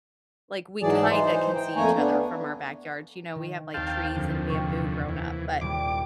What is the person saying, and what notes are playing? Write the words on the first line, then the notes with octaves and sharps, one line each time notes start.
like, we kinda can see each other from our backyards, you know, we have, like, trees and bamboo growing up, but,
G#2 E3 F#3 G#4 D5 A5
E3 D#4 C5
G5
F2 A3 A#3 C#5 G#5 A#5
B3 D4
D#3
D#2 C4 F5 G5 A5
F2 D3
C3 F5 C#6
E3
D#1 G3 D6